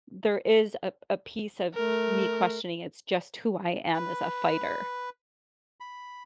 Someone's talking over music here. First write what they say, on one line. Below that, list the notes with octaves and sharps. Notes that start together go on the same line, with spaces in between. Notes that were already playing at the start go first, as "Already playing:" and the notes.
there is a a piece of me questioning it's just who I am as a fighter,
A3 A#4
B4
B5